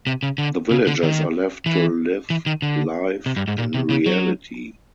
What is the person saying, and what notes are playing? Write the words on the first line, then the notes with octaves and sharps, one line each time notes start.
The villagers are left to live life in reality.
C3
C#3
D3
C#3
D3
D#3
E3
E3
D#3
D3
C3
G2
G#2
A#2
C3
C#3
F#3